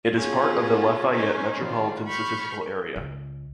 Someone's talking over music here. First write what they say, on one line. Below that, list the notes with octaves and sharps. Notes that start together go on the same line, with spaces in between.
It is part of the Lafayette Metropolitan Statistical Area.
B3 C#4 F4 F#4 G#4 A4
C#4 D#4 C5
D#3 G3 F4
B5 C#6 F6 G6
C#2